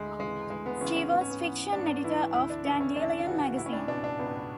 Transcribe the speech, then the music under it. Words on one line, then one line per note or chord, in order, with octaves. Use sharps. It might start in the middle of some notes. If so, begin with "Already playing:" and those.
She was fiction editor of "Dandelion" magazine.
Already playing: D2 G#3
C#3 E3 G#3
D2 G#3
B3
C#3 E3 C#4
C#4
G#2 B3
C#4
B3
E3 B3
G#2 D4
E3 E4
D2 E4
D4
C#3 E3 E4
C#4
D2 D4
C#3 E3 F#4
C#2 E4
C#4
D4
B2 D4
D4
C#2 B3